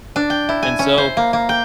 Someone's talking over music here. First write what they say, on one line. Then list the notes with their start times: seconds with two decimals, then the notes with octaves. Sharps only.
And so
0.16 D4
0.30 G5
0.49 E4
0.63 G#5
0.79 C#4
0.98 C5
1.17 A#3
1.33 A#3
1.49 G5